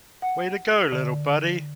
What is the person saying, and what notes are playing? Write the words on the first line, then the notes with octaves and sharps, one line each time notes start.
Way to go little buddy!.
F#5
D3